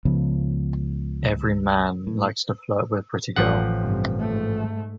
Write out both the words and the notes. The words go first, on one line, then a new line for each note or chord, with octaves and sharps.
Every man likes to flirt with a pretty girl.
C#2 C#3 F3 B3
A2
A1 F3 F#5
G2 C3
G#2 A3